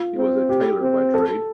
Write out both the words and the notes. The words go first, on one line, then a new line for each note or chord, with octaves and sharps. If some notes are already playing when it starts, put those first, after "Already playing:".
He was a tailor by trade.
Already playing: F4
C4
G4
C4
A4